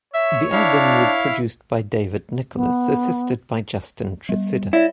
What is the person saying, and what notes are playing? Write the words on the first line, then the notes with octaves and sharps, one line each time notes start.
The album was produced by David Nicholas assisted by Justin Tresidder.
C#5 E5
D4 E4 F5
B3
G3
E4 C#5 D5